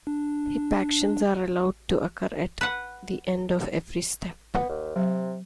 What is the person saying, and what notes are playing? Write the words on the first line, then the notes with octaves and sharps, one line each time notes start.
Hip actions are allowed to occur at the end of every step.
D4
B4 F#5
B3 F#5
D#2
C3 F#3